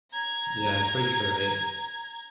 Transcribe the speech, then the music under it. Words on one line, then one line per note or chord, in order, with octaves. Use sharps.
Yeah, I'm pretty sure it
A#5 G#6